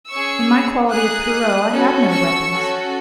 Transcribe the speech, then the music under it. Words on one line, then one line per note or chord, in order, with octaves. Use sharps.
In my quality of Pierrot I had no weapons.
C#4 G#4 C#6 E6
D#4 G#4 D#6 F#6
C#4 F#4 A4
C#6 E6
C#4 F#4 A4